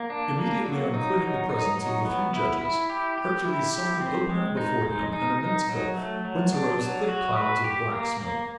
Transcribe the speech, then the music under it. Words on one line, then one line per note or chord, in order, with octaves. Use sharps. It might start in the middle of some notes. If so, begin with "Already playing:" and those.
Immediately on quitting the presence of the three judges, Hercules saw them open out before him an immense gulf whence arose thick clouds of black smoke.
Already playing: A#3
D4
A#3
F#3
D#4
F#3
D#4
F#3
B3
E4
E4
G4
G4
E4
G4
C4
G#3
D#4
G#3
D#4
D#4
F#3
A3
F#3
D4
F#3
F#4
B4
G4
A#3
A#3